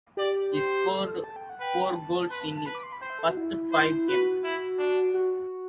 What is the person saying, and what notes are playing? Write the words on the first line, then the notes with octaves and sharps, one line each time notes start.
He scored four goals in his first five games.
G4 D5
C5
A4
A5
G5
F#5
B4 G5
A5
B4 C6
A5
A5
B4 B5
D6
C6
B5
C5 G5
E5
A4
F#4
E4
C5
F#4 B4
E4
D4
F#4